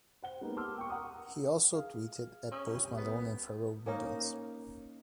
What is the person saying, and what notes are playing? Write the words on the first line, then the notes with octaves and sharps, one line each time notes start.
He also tweeted at Post Malone and Pharrell Williams.
C5 F#5 G7
G#3 A#3 B3 D#4 G4 A#4
A5 C6 D6 E6 F6
G5 C#6
A#4 F#5 A#5 D#6
G#4 F5
C#4 D#6
C2 G4
B3
A#3 C#4 D#4